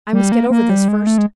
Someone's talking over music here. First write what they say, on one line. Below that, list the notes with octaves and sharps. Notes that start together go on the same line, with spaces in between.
I must get over this first.
G3
A#3
A#3
G3
G#3
A3
G#3